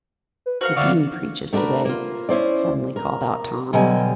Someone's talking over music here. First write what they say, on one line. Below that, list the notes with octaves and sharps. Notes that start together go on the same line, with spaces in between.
"The dean preaches to-day," suddenly called out Tom.
B4
F#4 A#4 C5 F5
D3 F#4 D5 E5 F5 C#6
A3 D4 F#4 A#4 B4
A#3 F4
C#4 E4 C5 D5
A#4
B2 D3 F#3 G3 D#5 G#5